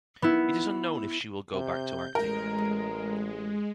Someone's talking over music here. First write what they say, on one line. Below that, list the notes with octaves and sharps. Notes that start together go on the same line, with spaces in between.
It is unknown if she will go back to acting.
B3 E4
C3 G6
A1 G#3 A#4